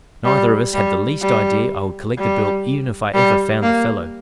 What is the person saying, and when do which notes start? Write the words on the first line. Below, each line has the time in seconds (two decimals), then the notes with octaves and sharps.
Neither of us had the least idea I would collect the bill even if I ever found the fellow.'
0.24 G3
0.74 G3
1.21 G3
2.18 G3
3.14 G3
3.62 A#3